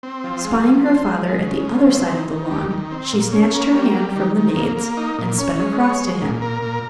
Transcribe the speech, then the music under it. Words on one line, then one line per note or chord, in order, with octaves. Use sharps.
Spying her father at the other side of the lawn, she snatched her hand from the maid's, and sped across to him.
C4
F3
G#3
F3
C5
G#3
G#3
C#3
F3
C4
D#3
D#3
G3
D#3
C4
A#2
C#4
A#3
G3
G3
D#3
D#3
A#3
A#3
D#4
A#2
C#4
G#3
C#5
G#3
A#2
A#4
A#2